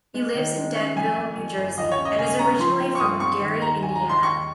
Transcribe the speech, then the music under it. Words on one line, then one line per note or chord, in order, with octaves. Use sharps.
He lives in Denville, New Jersey and is originally from Gary, Indiana.
G#3
D#3
G#3
C#4
F2 G#5
F2
F2
G1
D#2 D#5
C#5
C#4
D#5
C#3 G#5
C#4 A#5
F3 C6
C4
C#6
G2 D#6
C4 C#6
D#3
D#2 A#5
D#2 G#5
A#5
G#3
C6
D#2 C#6